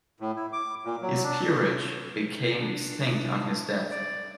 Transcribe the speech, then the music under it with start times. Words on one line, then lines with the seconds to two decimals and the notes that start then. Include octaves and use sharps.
His peerage became extinct on his death.
0.20 A2
0.36 E4
0.52 D6
0.85 A#2
1.02 F#3
1.24 D4
2.58 D4
3.90 D5